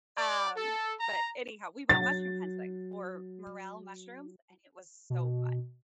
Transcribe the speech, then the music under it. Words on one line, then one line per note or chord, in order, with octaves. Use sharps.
um, but anyhow, we went mushroom hunting for morel mushrooms, and it was so fun.
D5
A4
A#5
F#3 A6
B2